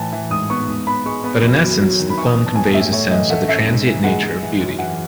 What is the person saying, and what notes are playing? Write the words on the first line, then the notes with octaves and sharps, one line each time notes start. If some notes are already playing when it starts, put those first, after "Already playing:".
But in essence the poem conveys a sense of the transient nature of beauty.
Already playing: A2 E3 A5
E3
G#2 D#6
B3 C#6
G#2
B3 B5
G#3 C#6
B3 B5
F#2
F#3
F#3
D#3
B5
E3 C#6
D#6
B3
A5
A2 G#5
A2 E5
A3 C#5
E3 D#5
A3 F#5
C#4 E5
G#2
E3
G#3 F#5
G#3
E3
F#2
E3 F#5